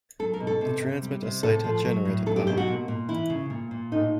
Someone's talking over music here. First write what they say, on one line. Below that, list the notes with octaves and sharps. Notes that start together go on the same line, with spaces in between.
The transmitter site had generator power.
F#3 A4
A#4
B2
A4
C3
C3
G3
C3
A2 A4
F3
F#3
A2
F#3 A4
G4
B2 G4
F#4
A#2
A#2
E3 E4
C#3
A#2
A#2
A2 D#4